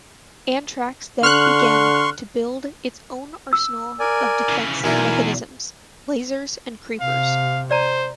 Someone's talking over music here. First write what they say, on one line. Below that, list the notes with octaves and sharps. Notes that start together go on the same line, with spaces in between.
Antrax then began to build its own arsenal of defence mechanisms: lasers and Creepers.
D3 C6 C#6 F6 F#6
E6
A#4 D5 G#5
C#3 E3
B1 E2 D4 E4 A#4 G#5
C3 F5
C5 D5 A#5